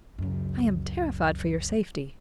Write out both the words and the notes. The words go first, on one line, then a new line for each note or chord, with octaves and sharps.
I am terrified for your safety.
C#2 F#2